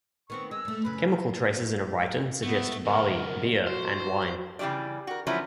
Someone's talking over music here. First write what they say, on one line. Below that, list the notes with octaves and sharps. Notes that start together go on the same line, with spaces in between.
Chemical traces in a rhyton suggest barley, beer, and wine.
D#3 B3 C4 C#6
G#3 E6
G2 A3
F#2 C#3 B4
A#4
A3 B3
C#2 B2 A#4
F#4 C5
C#3 E3 G3 A3 D5
F#4 A#4
F3 F#3 B3 C#4 D4 E4